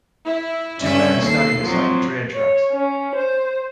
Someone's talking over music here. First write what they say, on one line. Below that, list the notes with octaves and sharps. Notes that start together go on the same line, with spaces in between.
Two men are standing beside the train tracks.
E4
G2 C#4 E5
D#2 A4 C7
F3 F#3 C4
C#5
C#4
C5